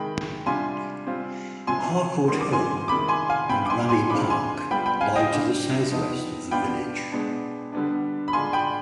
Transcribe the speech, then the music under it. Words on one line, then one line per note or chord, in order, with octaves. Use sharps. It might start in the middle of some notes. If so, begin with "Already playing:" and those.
Harcourt Hill and Raleigh Park lie to the southwest of the village.
Already playing: C3 D#3 G#3 G5 B5
C3 G3 D4 F4 G#5 C6
G3 C4 F4
C3 F3 C4 G#5 C6
D#3 G3 B3 C6
D6
G#5 C6
C3 D#3 G#3 B5 D6
G#5 C6
F5 G#5
C3 G3 B3 G5 B5
D6
G#5 C6
G#5 C6
D3 F3 G#3 C4 F4 B5 D6
G#5 C6
G3 B3 F4 G5 B5
G5 B5
F5 G#5
D#5 G5
D3 G3 D4 F4
F3 B3 D#4
B2 B3 D4 F4 G5 B5
B2 G#3 B3 D4
D3 G3 B3 D4
B5
D3 G#3 D4 F4 G#5 C6
G5 B5